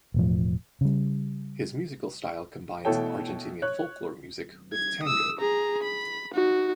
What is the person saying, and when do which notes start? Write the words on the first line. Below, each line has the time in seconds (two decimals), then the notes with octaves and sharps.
His musical style combines Argentinian folklore music with tango.
0.14 E1 A2 F3
0.81 C#3 G3
2.85 B2 E3 A3 A4 C#5 G5
3.62 C#5 F#6
4.73 G#6
5.03 D#6 E6
5.39 G#4 A#5
5.83 B5
6.34 D#4 F#4